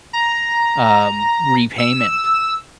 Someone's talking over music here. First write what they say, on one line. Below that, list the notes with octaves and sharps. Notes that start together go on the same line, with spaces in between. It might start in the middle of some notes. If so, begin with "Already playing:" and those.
um, repayment.
A#5
E6